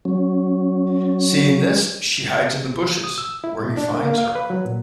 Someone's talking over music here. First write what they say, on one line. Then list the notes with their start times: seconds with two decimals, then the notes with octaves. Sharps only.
Seeing this, she hides in the bushes, where he finds her.
0.05 F#3 C#4
3.04 D#6
3.18 E6
3.44 E4
3.64 B2
3.77 D4
3.94 A#3
4.06 A#3
4.18 F5
4.35 B4
4.50 F#3
4.65 A#2